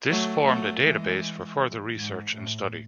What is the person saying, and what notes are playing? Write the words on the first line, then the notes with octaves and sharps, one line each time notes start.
This formed a database for further research and study.
F#3 A3
F#3 A3
E3 G#3
G#2
A2